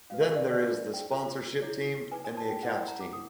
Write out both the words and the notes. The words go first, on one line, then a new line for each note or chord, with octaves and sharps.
Then there is the sponsorship team, and the accounts team.
C#4 F#4 B4 F5
D#5
D5
E5
D4 F4 G#4 C5 E5
G5
F4 A4 C5
E4 G#4 C#5
D#4 G#4 B4 G#5
G#5
A5
G5
C#4 E4 G#4 C#5 F#5
G5
A#5
D6
E4 D#6